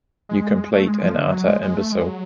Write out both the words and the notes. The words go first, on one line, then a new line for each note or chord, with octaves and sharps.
You complete and utter imbecile.
G#3
A3
G#3
F3
D3
F#3
G#3
G#3
A3
G#3
F#3